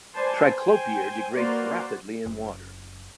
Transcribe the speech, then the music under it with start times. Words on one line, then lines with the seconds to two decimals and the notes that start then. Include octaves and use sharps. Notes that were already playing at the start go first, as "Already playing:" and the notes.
Triclopyr degrades rapidly in water.
0.16 B4 C5 D5 G#5 A5 C6
0.59 C5 G5 G#5
1.33 A#3 F#4 B4 C5 D5 C6
2.26 F#1